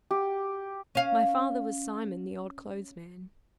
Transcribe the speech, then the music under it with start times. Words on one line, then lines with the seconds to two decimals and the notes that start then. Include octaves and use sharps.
My father was Simon the old clothes-man.
0.11 G4
0.95 C#4 F5